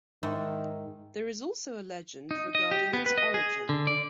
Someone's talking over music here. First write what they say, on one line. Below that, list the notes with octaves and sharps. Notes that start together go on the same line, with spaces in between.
There is also a legend regarding its origin.
G#2 D#3 E4
D#4
D#5
G4
B3
B4
D#5
G#4
D3
D5